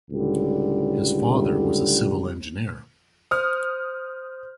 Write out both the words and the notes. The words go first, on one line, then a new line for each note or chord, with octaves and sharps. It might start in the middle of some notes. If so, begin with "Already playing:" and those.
His father was a civil engineer.
C#2 A2 D3 G3
C5 D#6 F6